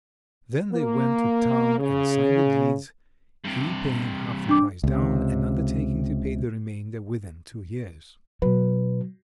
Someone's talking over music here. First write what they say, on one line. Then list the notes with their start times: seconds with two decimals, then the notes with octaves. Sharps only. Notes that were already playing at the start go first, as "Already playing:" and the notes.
Then they went to town and signed the deeds; he paying half the price down, and undertaking to pay the remainder within two years.
0.72 A#3
1.78 C#3
3.44 G2 C3
4.49 D4 D6
4.84 C#2 C3
8.42 B2 F#3 B4